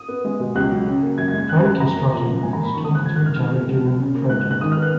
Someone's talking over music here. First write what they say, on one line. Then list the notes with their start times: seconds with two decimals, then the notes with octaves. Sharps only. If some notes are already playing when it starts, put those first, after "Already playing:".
Train construction workers talking to each other during project.
Already playing: D#6
0.09 B3
0.25 G#3
0.40 B2
0.55 C#2 F#6
0.71 F#3
0.87 C#3
1.02 A#3
1.18 F#2 G#6
1.28 G#6
1.33 G#3
1.38 G#6
1.49 C#3 F#6
1.65 F#2 F#6
1.80 F#2 A#5
1.96 A#3
2.11 F3
2.27 F#2
2.43 G#2 G#5
2.53 A#5
2.58 A#3
2.64 B5
2.74 D#3 C#6
2.85 D#6
2.89 G#2
2.95 F#6
3.05 F2 G#6
3.16 F#6
3.21 G#3
3.26 F6
3.36 D#3 F6
3.52 F2
3.67 C#2
3.83 F#3
3.99 C#3
4.15 A#3
4.30 G#2 F#6
4.40 F#6
4.45 G#3
4.51 F#6
4.61 D#3 D#6
4.72 F6
4.77 B3
4.82 F#6